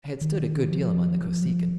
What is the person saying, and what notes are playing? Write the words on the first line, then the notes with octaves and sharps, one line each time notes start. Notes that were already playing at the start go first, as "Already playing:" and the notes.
I had stood a good deal among the Kosekin.
D#3
F3
F3
F#3
F3